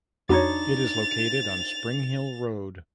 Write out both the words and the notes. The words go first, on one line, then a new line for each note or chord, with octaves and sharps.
It is located on Springhill Road.
F2 D4 D#4 F#4 C#5 B5 A6 F7